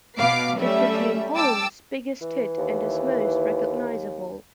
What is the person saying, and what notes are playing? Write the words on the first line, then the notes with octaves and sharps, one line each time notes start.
It became Holmes' biggest hit, and his most recognizable.
B2 B4 F5 D6 C7
F#3 G3 A3 C#4 E5
G5 A5 D6 E6
E3
D#2